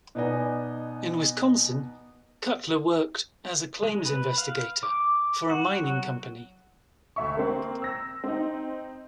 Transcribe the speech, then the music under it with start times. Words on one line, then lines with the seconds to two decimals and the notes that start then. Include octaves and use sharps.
In Wisconsin, Cutler worked as a claims investigator for a mining company.
0.15 B2 B3 D#4 D5 D#5 G#5
3.83 G#3
4.05 B4
4.38 F5
4.83 D6
5.50 F#4
5.84 F#3
7.16 D2 E5 C#6
7.37 A#3 C4
7.82 E6 A#6
8.24 C4 D#4